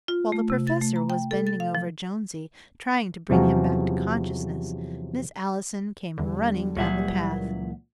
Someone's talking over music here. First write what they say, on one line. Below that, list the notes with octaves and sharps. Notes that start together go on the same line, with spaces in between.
While the professor was bending over Jonesy, trying to bring him back to consciousness, Miss Allison came running down the path.
F4
A3
C3
A6
A3
A#5
G5
A4
A6
F5
F3
E2 C3 F3 F#3 C#4
E2 D3 G3
C#2 A#2 E3 F#3 E5 F#5